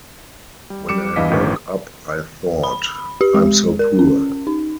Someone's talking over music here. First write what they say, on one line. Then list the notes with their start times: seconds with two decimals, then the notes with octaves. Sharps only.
When I woke up I thought: I'm so poor.
0.70 G3
0.89 G3 D6 C#7 E7
1.16 E2 G2 E3 D#5 F5 B6
1.31 G1 A2 D#3 F3 C#4 B4
2.64 B5
3.21 G4
3.34 G#3
3.79 A#4
3.99 C#4
4.47 D#4